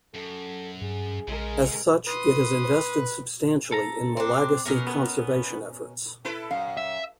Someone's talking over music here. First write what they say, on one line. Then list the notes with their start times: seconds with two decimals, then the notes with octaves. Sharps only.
As such, it has invested substantially in Malagasy conservation efforts.
0.14 F#2 A4
0.81 G2 G#4
1.28 A#1 C#3 G#3 A#4
2.07 B4 C6 D#6
3.72 A4 A#5
4.17 C4 D4
4.65 B2 C#4 A#4
4.87 B3
6.25 E4 A4 B4
6.51 F#2 F5
6.77 E5